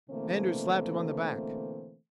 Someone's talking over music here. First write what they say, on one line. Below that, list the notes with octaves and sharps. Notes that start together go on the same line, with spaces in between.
Andrews slapped him on the back.
B2 D3 E3 A3 A#3 C4